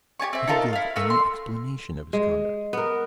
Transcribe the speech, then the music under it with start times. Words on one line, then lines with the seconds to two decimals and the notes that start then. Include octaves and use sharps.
"Did he give any explanation of his conduct?"
0.20 G4 D5 G#5 C#6
0.33 C4 E5
0.47 D#4 F4 A4 A#4
0.73 E4 F5
0.96 A3 A#4 E6
1.10 C6
2.13 G#3
2.73 B3 A#4